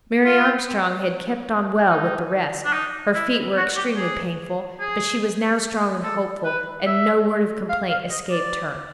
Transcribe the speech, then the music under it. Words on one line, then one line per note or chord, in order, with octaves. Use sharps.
Mary Armstrong had kept on well with the rest; her feet were extremely painful, but she was now strong and hopeful, and no word of complaint escaped her.
F4
D#4
D4
D#4
E4
F#4
G4
G#4
G#4
A4
B4
E5
F5
F5
D#5
D5